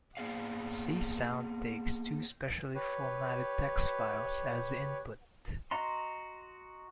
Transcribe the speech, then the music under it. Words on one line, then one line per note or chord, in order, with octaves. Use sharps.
Csound takes two specially formatted text files as input.
A#3 B3 G#4 D5 F5
G4 B4 C#5
F#4 D#5 A#5 C6